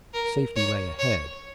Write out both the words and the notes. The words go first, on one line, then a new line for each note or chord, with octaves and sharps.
Safety lay ahead.
A#4
C#5
C#5